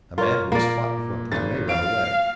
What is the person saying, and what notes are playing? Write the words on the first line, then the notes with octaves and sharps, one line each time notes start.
A man who has fought with weapons may run away.
F4 A#4 C#5
A#2 A#3 D5
G#1 A6
F5 D7